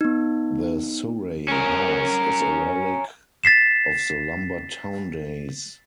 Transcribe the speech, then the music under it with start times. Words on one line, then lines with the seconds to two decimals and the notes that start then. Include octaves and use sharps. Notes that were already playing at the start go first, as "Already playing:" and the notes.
The Surrey House is a relic of the lumber town days.
0.01 B3 D#4
1.48 C#4 A#4
3.44 A6 B6 C7 E7